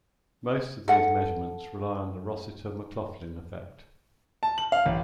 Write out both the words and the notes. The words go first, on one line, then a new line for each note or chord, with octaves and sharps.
Most of these measurements rely on the Rossiter-McLaughlin effect.
A4 F#5
A5
F#7
F5
A1